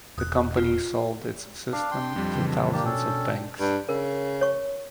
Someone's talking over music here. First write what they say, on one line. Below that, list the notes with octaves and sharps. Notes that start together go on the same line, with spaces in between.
The company sold its system to thousands of banks.
E1 D#6 F#6
F4
D4 F5
G5 C6
F2 G3
C#3 E3
A#3 D4 G4 A5
B2 C#4 A4 G5
G2
C#3 A#4
C#5 C#6